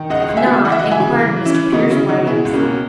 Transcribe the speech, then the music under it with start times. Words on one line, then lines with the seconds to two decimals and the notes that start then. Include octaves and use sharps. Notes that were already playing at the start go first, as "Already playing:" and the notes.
If not, inquire to Mr. Pierce Whiting's.
Already playing: D#3
0.10 C#2 D#5 F#5
0.28 C#2
0.37 E5 G#5
0.47 C#3
0.65 E3 F#5
0.72 E5
0.79 E3 D#5 F#5
0.91 E5 G#5
1.00 C#3
1.18 E3
1.36 E3
1.45 C#4 E4
1.54 E3
1.72 C#3 B3 D#4
1.91 C#3 C#4 E4
2.08 C#3 D#4 F#4
2.27 B2 E4 G#4
2.45 C#2
2.53 A#3 C#4
2.63 B2